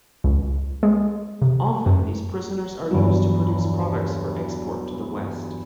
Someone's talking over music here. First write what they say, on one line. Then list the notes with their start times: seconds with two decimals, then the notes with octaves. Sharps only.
Often these prisoners are used to produce products for export to the West.
0.24 C#2
0.83 G#3
1.42 C3
1.86 F#2
2.91 E2 G2 F#3